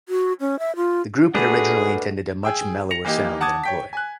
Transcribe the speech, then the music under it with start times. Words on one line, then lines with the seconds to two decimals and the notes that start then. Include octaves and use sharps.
The group had originally intended a much mellower sound than employed.
0.09 F#4
0.40 C#4
0.59 E5
0.76 F4
1.34 A3 D4 F#4 G#4 A4 B4
2.43 G#4 G5 E6
2.91 A#6 C#7 F7
3.05 E3 A#3 D#4 G4
3.41 F#5 A5 D6 D#6 G#6
3.64 C#5 G5 B6
3.93 G#5 F#6